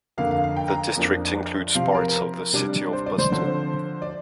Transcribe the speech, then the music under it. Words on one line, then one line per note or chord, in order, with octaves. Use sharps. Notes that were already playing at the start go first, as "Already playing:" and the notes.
The district includes parts of the city of Boston.
F2 D3 A#3 F5
F5
F5
G5
A#5
F2 F3 A#3 D4
C3 F3 C4 F5
A#4
A#4
C3 G3 D4
C5
D5
C5
D3 F3 C4 C5
D5